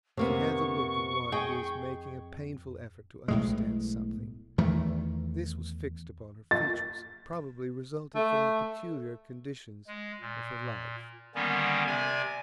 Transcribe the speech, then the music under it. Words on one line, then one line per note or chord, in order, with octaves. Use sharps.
She had the look of one who is making a painful effort to understand something; this was fixed upon her features, and probably resulted from the peculiar conditions of her life.
F2 C3 A#3 B3 C#6
G#4 D#5 G5
B1 A2 G#3
E2 D#3 A3
A6
A3
G#3
A#2
D3 D#3 G3 A#3 B3 C#4
C3 D5 G#5 G#6